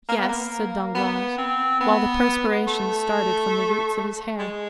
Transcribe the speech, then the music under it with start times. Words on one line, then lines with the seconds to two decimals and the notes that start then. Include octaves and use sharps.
"Yes," said Danglars, while the perspiration started from the roots of his hair.
0.08 A#3
0.19 B3
0.29 A#3
0.95 B3
1.38 C4
1.81 B3
2.67 A3
4.39 G#3